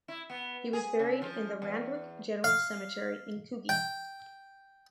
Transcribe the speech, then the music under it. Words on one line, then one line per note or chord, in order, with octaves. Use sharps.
He was buried in the Randwick General Cemetery in Coogee.
E4
B3
G#4
C#3
F3
E2
F5
G5